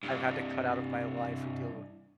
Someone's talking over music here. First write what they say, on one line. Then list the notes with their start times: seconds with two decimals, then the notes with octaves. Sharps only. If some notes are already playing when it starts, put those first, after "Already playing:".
I had to cut out of my life who do
0.03 C2 G2